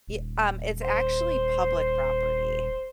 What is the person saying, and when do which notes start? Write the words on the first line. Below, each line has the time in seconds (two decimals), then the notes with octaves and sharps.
Ye um, it's actually public property.
0.07 D#1
0.83 C5